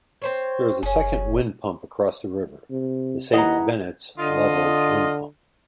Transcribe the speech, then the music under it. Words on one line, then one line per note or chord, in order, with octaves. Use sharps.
There is a second windpump across the river, the Saint Benet's Level windpump.
C4 C5 C#5
F#1 C#4 G#4
C3
D#2 E4 G#4 B4 D#5 F#5 A#5
D3 F4 D#5